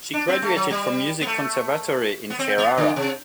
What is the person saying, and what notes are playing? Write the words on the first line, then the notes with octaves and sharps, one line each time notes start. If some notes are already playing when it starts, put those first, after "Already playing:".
She graduated from Music Conservatory in Ferrara.
D4
C4
A3
F#3
G3
B3
A3
B3
C4
B3
D3
C3